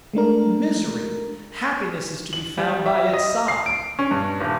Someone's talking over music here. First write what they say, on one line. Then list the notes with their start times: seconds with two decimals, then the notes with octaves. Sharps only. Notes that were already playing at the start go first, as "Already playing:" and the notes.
Misery!--happiness is to be found by its side!
0.13 G#3 A3 D4 A#4
2.33 F#7
2.58 G3
2.86 E5
3.14 D#5
3.48 C7
3.66 D7
3.99 C#4
4.11 G2
4.41 D#1